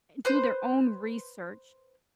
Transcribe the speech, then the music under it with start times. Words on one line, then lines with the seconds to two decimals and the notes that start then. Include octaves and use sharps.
eh, do their own research
0.25 B4 C5 G6